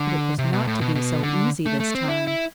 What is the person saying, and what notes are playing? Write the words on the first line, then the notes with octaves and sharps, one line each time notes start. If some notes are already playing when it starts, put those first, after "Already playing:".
But it was not to be so easy this time.
Already playing: D3
C3
B2
A2
B2
B2
D3
A3
A3
C4
E4
E4